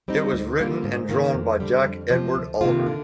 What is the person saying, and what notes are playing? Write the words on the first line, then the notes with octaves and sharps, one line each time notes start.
It was written and drawn by Jack Edward Oliver.
G3 C4 D#4
D2
D3 G3 A#3 F4
G#2
D#3 A#3
F2
D3 G3
F2
C3 F3
D2
C3 D#3 A#3 F4
D3